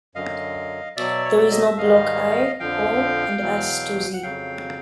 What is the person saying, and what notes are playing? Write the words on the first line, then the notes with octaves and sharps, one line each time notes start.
There is no block I, O, and S to Z.
F#2 D3 F#3 D#5 F5
B2 F#3 D5 E5
C#5
D5
D#5
E5
G#2 D#3 G3 D#5 F5
F2 D3 F3 F5 G5
E2 B2 F#3
F#5
F2 C#3 F#3 F5 G5